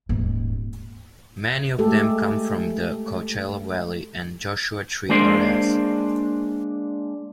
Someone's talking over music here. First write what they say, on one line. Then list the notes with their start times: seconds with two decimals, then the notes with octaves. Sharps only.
Many of them come from the Coachella Valley and Joshua Tree areas.
0.09 D#1 G#2
1.78 G#3 A3 G4 A4
5.09 G#3 A#3 D4 C5